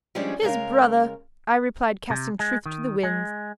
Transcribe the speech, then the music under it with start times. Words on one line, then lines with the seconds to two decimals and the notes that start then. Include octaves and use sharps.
'His brother,' I replied, casting truth to the winds.
0.15 F3 G3 G#3 C#4 D4 G#4
0.42 C#3 G#3 A#4 F5
2.10 C3
2.40 G#3
2.66 D#3
3.03 G#3